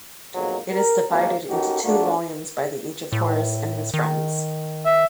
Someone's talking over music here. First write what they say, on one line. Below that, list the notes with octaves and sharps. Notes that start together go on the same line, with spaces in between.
It is divided into two volumes by the age of Horace and his friends.
F2 G#2 B2 F#3 G#3 A#3
A#4
G#1 F#2 A#3
C#4 D#4 F#4 G4 A4 A#4
F2 G3 A3 A#3 D4 F#4
A2
D#3
E5